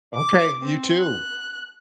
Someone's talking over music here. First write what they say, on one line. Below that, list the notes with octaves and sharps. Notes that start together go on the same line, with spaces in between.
Okay, you, too.
D6
C4
F#6